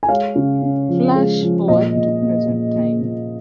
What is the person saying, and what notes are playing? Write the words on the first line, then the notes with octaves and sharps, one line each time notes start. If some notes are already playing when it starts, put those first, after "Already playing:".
Flash forward to present times.
G#5
G#3 C#5 F5
C#3
C#4
F3
G#3
F3
A#2 D#5
A#2
A#3
A#2
A#3
A#2